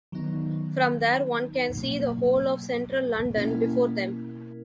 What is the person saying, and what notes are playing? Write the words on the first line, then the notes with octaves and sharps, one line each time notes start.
From there one can see the whole of central London before them.
D#3 F#3 B3 D#4
B2 F#3 A#3
B2 A#3 C#4 E4 A#4